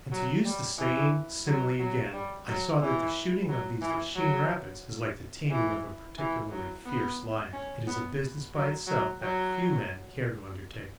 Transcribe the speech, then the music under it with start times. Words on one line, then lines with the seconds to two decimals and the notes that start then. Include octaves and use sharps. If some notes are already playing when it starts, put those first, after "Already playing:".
And, to use the same simile again, I saw that the shooting of these Lachine Rapids is like the taming of a particularly fierce lion; it is a business by itself that few men care to undertake.
0.12 F#3
0.45 G3
0.78 E3
1.47 F#3
1.79 F#3
2.13 G3
2.48 F#3
2.81 E3
3.49 F#3
3.81 E3
4.16 F#3
5.50 E3
6.18 E3
6.51 F#3
6.86 B3
7.53 C#4
7.87 B3
8.54 F#3
8.87 F#3
9.22 F#3